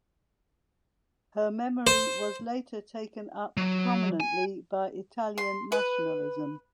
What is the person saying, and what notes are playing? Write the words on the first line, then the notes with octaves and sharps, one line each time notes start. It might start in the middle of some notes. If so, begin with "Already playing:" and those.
Her memory was later taken up prominently by Italian nationalism.
C5
F#3
G#5
C6
B4